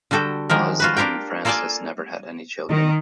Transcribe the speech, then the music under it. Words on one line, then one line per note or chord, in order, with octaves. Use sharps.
Buzz and Frances never had any children.
D3 G3 F#4 A4 G5
D#3 F3 G#3 A#4
F4 F#4 B4
D4 F4 G4 A#4 G5
A#3 F4 A4 D5 G#5 A5
D#3